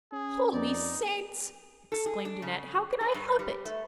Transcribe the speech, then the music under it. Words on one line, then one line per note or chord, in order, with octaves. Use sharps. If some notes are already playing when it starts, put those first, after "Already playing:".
'Holy Saints!' exclaimed Annette, 'how can I help it!
C#4 G#4
F2 D#4 D5
A4
G#4
D4
C#3
G#4
G2
G3
A3